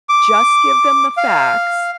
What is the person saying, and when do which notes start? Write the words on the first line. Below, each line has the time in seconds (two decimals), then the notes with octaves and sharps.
just give them the facts,
0.09 D6
1.17 F5